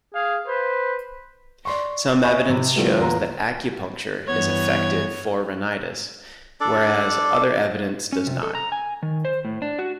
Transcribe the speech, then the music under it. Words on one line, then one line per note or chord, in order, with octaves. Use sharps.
Some evidence shows that acupuncture is effective for rhinitis, whereas other evidence does not.
G#4 F5
B4 C5
D5 C6 C#6
C#5 D#5 E5 G#5 B5 C#6
C3
D3 E3 F3 G3 A3 B3
E2 A#2 E3 B3 F4 A#5
G2 E3 B3 C#5 G#6
D4 A4 D5
C#4
C3
A4
A#5
G#5
D#3
C5
A2
D4
F#4